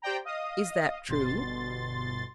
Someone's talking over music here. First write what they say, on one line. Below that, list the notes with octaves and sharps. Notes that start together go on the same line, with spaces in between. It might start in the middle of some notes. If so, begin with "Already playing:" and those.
Is that true?
G4 C5 D5 G5 A#5
D#5 F5 D#6
G1 B2 C6 A6